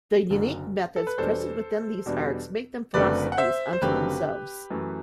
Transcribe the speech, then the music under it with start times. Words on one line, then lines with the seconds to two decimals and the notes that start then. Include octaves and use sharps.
The unique methods present within these arts make them philosophies unto themselves.
0.30 F#1 F#2 D3
0.96 A4
1.07 B4
1.18 E2 B2 G3 D4 A4 C5
2.06 E2 B2 G3 D4
2.94 F#1 F#2 D3 A3 C4 B4 D5
3.32 F#5
3.38 C5 E5
3.73 C5
3.82 F#1 F#2 D3 A3 C4 G4 B4
4.70 F#2 E3 A3